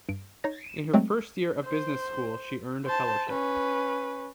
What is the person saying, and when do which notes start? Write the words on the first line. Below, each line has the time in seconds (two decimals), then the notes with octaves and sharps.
In her first year of business school, she earned a fellowship.
0.09 G2 D7
0.44 D#4 C#5 A#6
0.94 F#3 G#3 A3 C4
1.65 C5
2.85 C5 A5
3.27 C#4 B4